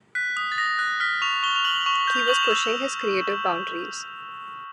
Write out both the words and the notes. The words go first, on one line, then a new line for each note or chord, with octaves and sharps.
He was pushing his creative boundaries.
F#6 B6
D#6
A6
D#6 A#6
F#6
F6 B6
C#6 F7
C#6 G7
F7
F6 F#7
C#6 F7
G6
F7
C#6 F#7
F7
E7
E6